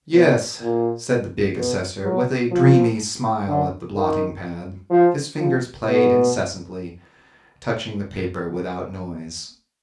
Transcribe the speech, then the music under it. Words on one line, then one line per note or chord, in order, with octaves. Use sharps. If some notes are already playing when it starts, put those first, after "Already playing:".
'Yes,' said the big assessor, with a dreamy smile at the blotting-pad; his fingers played incessantly, touching the paper without noise.
B2
A#2
B2
F#3
F3
D3
D#3
F3
F3
B2